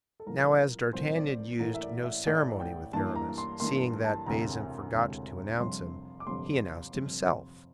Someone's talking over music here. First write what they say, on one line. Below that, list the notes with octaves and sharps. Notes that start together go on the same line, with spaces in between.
Now, as d'Artagnan used no ceremony with Aramis, seeing that Bazin forgot to announce him, he announced himself.
A4
C2 A#2 F3 C4 A#4
C2 A#2 F3 C4 C5
D5
A1 A2 E3 A#4
E5
D5
E5
A1 A2 E3 D5
G5
G2 E3 A#3 A5
A#5
C6
G2 E3 A#3 C6
A5
E1 D2 C3 A#5
E1 D2 C3
G1 F2 C3 G3 C6
D6
G1 F2 C3 G3 C6
G1 F2 C3